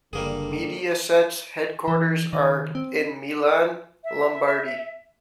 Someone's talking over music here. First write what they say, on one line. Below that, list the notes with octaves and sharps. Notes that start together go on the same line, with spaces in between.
Mediaset's headquarters are in Milan, Lombardy.
F#1 D3 G3 A#3 G#4
E3
D#3
C4
E5